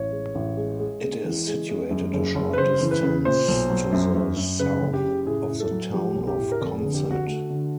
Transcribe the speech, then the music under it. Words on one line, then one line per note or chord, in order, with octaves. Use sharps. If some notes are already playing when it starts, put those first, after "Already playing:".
It is situated a short distance to the south of the town of Consett.
Already playing: A1 C#5
G#3
A1
G#3
G#3
G#3
E3
G#3
G#3
F#2
F#1
F#1
B4
C#3 C5
E3
B4
C#3
A#2 C5
B1
F#3
F#2
F#2
F#2
C#3 B4
F#1
G4
C#3
A2 G#4
A2
A4
F#3
F3 G4
B1
G4
A2
A#4
F1 A4
D3 G#4
G4
D3
F#4
A3 F#4
D3